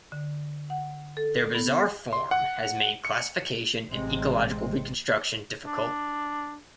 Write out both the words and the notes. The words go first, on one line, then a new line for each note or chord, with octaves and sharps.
Their bizarre form has made classification and ecological reconstruction difficult.
D3
F#5
A4
B3
C6
F#5
C#7
A1 C3 G#3 C4
D4